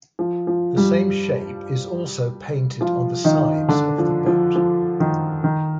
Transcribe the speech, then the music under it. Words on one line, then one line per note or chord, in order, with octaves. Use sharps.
The same shape is also painted on the sides of the boat.
F3
F3
G2 G3
F3 F4
D#3 D#4
D3 D4
F3
F3
F3
D#3
D#3